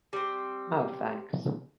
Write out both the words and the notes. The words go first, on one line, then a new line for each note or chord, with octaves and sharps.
Oh, thanks.
G3 C4